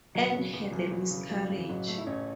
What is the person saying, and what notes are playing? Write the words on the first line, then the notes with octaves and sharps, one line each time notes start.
Anne had a miscarriage.
E1 F#3
C#3 F#3
E2 B3
E2 F#3
E2 F#3
C#3
C#3 F#3
C#3
E3
A1 F#3
A3
E4
A1 C#4